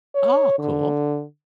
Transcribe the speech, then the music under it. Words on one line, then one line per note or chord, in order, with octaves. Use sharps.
Aw, cool.
C#5
D3